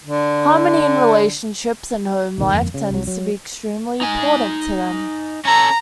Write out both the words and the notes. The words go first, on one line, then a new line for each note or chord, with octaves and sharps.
Harmony in relationships and home life tends to be extremely important to them.
D3
D1 B1 D#3 G#3
G1 F2 A#3
C#3
C2 F#3
F#3
D#4 G#5
C#4 A4 A#5